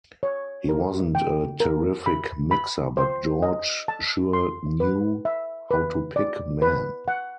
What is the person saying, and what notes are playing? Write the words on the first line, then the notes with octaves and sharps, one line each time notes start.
He wasn't a terrific mixer but George sure knew how to pick men.
C#5
A#4
G5
A#4
B5
B5
C5
D#5
A5
C6
B4
E5
B4
D5
B4
F#5